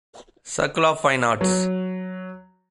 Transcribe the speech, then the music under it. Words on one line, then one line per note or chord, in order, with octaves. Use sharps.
Circle of Fine Arts.
F#3